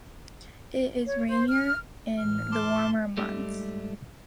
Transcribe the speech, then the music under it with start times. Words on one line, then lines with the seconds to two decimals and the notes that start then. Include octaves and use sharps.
It is rainier in the warmer months.
1.07 C#5
1.28 C5
1.49 F6
2.18 A2 E3 F6
2.52 A5 C6 D6
3.17 G#2 G3 A3